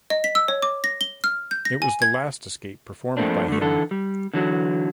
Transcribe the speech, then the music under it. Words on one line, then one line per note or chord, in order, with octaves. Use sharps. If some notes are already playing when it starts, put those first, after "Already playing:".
It was the last escape performed by him.
D#5
B6
E6
C#5
D6
A#6
G7
F6
G6
A#6
G#5
G#6
F2 F3 A3 A#3 C4 D4
D3 A3
D3 E3 A4
G3
D3 E3 F#3